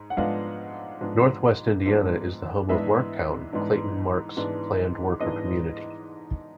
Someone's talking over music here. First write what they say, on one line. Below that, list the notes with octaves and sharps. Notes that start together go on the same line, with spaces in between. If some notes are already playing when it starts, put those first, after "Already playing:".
Northwest Indiana is the home of Marktown, Clayton Mark's planned worker community.
Already playing: G#2
F#5
G#2 F3 G#3 B3 D4 F5
G#2 F3 G#3 B3 D4
G#2 F3 G#3 B3 D4
G#2 E3 G#3 B3 D4 E5
G#2 E3 G#3 B3 D4
G#2 E3 G#3 B3 D4
G#2 E3 G#3 B3 D4 D#5